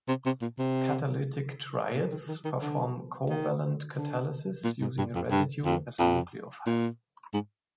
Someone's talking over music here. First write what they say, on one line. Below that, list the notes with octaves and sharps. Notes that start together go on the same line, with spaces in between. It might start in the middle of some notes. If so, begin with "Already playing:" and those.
Catalytic triads perform covalent catalysis using a residue as a nucleophile.
C3
C3
A#2
C3
A#2
D#3
D#3
D#3
D3
D#3
D3
A#2
G#2
G2
F2
G2
F2
F2
A#2
G#2